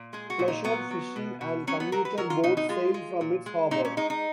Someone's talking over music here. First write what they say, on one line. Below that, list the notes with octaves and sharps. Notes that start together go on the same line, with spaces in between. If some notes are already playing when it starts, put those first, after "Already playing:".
Pleasure, fishing and commuter boats sail from its harbor.
Already playing: A#2
G#3 G#4
F#4
A#2
D#4
F#3 B3
F#3
B2
B2
F#3 C#4
B3
F#3 A#4
B4
F#3 A#4
F4
B2 D#4
D#4
G#3 F4
G#3
A#2
G#3
A#2 D#4
C#4
G#3 D#4
D#4